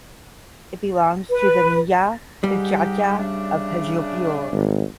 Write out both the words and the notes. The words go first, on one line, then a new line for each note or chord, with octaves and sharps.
It belongs to the nyaya panchayat of Hajipur.
B4
G#2 G3 D#4 G4
C#3 A3 D4
G#1